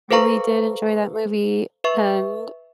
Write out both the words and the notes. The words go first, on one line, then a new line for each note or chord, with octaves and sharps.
really did enjoy that movie, and
A4 B4 C5 F5 A#5 C#6
B4 E5 C#6